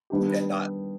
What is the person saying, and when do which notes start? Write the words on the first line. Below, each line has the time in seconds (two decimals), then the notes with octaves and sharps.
and not
0.10 D#3 G3 B3 D4 G4